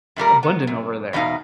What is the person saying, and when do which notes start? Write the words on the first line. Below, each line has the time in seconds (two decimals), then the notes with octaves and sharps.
abundant over there.
0.16 F#2 A#2 G3 A#4
0.43 B3
0.67 F#2
1.13 E2 B2 D4 D#4 F5